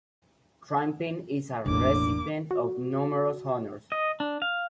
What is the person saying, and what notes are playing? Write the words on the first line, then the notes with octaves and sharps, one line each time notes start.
Trimpin is a recipient of numerous honors.
E1 A1 A#3 D4 D6
F#4
D#5
D4
F5